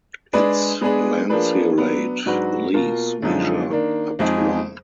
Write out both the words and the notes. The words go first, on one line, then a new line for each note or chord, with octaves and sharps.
Its lanceolate leaves measure up to long.
G#3 D4 G#4 B4 D5
G#3 B3 D4 G#4 B4
F3 A#3 D4 G#4 B4
F#3 B3 D4
G#2 F#3 D4 F#4 B4
B2 A#3 F4 A#4
F#2 D3 F3 G#3 D#4
D#3 A#3 D4
F2 F3 G#3 D#4 G#4